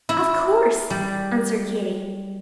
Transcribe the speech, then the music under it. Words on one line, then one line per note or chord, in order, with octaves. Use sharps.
"Of course," answered Katy.
E4
G3